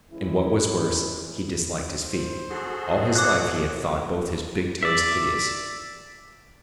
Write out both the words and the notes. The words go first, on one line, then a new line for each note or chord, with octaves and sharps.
And what was worse, he disliked his feet. All his life he had thought both his big toes hideous.
C#2 E3 E4
C5
F#4 G#4 A4
C#5 D6 F#6
D5 E5